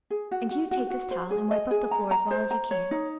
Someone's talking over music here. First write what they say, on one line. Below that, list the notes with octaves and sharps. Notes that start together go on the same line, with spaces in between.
And you take this towel and wipe up the floor as well as you can.
G#4
F#4
F#4
F#4
F#4
C5
G#4
D#5
G#4
A#5
A#5
C5
A#5
C#5
D#4